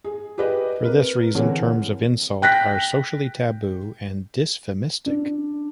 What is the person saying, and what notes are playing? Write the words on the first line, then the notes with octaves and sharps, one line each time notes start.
For this reason, terms of insult are socially taboo and dysphemistic.
G#4
G4 G#4 B4 D5 D#5
C4 A#4 B4
D3 E3 C4 G#4 A#4 C#5
G5 F#6 A#6 B6
D4